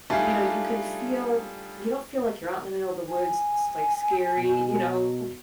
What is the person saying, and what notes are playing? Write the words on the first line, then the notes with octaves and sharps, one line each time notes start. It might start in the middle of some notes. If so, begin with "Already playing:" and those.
you know, you can feel you don't feel like you're out in the middle of the woods, s like scary, you know,
G3 A3 D4 D#4 F4 G#4
G#5
B2